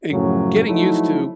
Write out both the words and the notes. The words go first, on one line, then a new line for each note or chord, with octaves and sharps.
and getting used to
F#2 A2 C#3 F3 F#3
F3 F#3 A3 D#4 E4